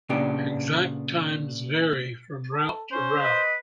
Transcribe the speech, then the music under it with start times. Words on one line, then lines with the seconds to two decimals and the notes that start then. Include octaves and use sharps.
Exact times vary from route to route.
0.09 A#2 C#3 B3 D4 G4
2.52 A4
2.92 C#4 C5
3.23 B4 D#5